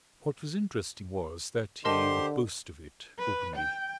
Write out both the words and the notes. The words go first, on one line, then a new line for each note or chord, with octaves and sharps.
What was interesting was that he would boast of it openly.
D3 G4 A#4 C5 D#5 A5 C6
B4
G5